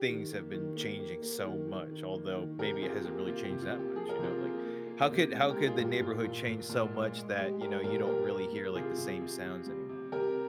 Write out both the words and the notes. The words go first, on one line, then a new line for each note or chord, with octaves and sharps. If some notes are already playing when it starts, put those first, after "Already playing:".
things have been changing so much, although maybe it hasn't really changed that much, you know? Like, how could how could the neighborhood change so much that, you know, you don't really hear, like, the same sounds anymore?
Already playing: G4
D#3
A#3
D#3
A#3
A#3
A#3
D#3
D#3
D#3
A#3
D#3
C3 G4 A#4
C3 F4 G#4
A#3 G4
C3 F4
G4
C3
F4
A#3
G4
F3 G#4
A#4
C3 F4 G#4
A#3
A#3
A#3
C3
G#3
G4 A#4
G#3
F4 G#4
A#2
G4
A#2 F4
A#2
A#2
A#2
G#3
G#3
G#3 G4
G#3 G4 A#4
A#2 G4 A#4
A#3 G4 A#4
A#3
G3
C3 F4 G#4
C3
C3
C3
G3
C3
C3 G4 A#4